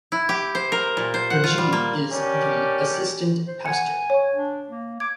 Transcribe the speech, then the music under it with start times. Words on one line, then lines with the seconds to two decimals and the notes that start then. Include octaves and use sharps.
Rajib is the assistant pastor.
0.12 E4
0.29 G4
0.55 C5
0.72 A#4
0.97 A#2
1.14 C5
1.30 F#5
1.44 F4
1.58 G3
1.73 A#3
2.12 C#4 D4 G4 A#4
3.47 C5
3.66 F#5 G#5 G#6 C#7
4.10 C#5 C#6
4.35 D4
4.69 A#3
5.00 D6 G#6